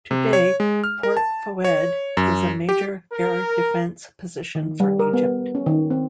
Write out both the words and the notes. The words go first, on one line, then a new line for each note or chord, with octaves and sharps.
Today Port Fouad is a major Air Defence Position for Egypt.
C3
C#5
G#3
F6
A#4
A5
C#5
F#2
G4
A#4
D#3
G3
A#4
B3
C#4
D#3
C4